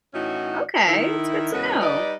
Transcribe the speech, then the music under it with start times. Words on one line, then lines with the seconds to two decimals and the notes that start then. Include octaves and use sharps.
Okay. It's good to know.
0.14 A2 E3 C#4 D#4 F#4
0.87 D#3 E4
1.53 E2 C#3 G#3 C#4 F#4 B4
1.80 G3 D#4 B4 D5 D#5